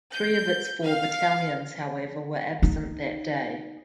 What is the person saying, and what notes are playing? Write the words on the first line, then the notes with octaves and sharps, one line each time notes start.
Three of its four battalions, however, were absent that day.
G6
F5
D#4